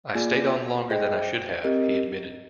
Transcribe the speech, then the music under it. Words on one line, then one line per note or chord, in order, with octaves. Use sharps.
I stayed on longer than I should have, he admitted.
A#3 F4 G#4 D5 G#5
G#4 C5 D#5 G5
C4 G4 A#4 D#5